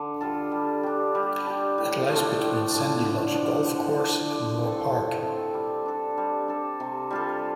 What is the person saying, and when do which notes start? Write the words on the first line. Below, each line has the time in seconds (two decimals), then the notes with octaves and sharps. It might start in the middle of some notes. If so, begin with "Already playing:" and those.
It lies between Sandy Lodge Golf Course and Moor Park.
Already playing: D3
0.21 G3 F4 A4
0.52 G3
0.83 D4 G4
1.15 G3
1.47 D4 G4
1.78 A2
2.09 F3 A3 D4
2.40 A2
2.72 F3 A3 D4
3.03 D3
3.34 F3 D4
3.66 D3
3.97 F3 D4
4.29 F3
4.60 C4 A4
4.92 F3
5.23 C4 A4
5.54 G3
5.86 D4 A4
6.17 G3
6.48 D4 A4
6.80 C3
7.10 G3 F4 A4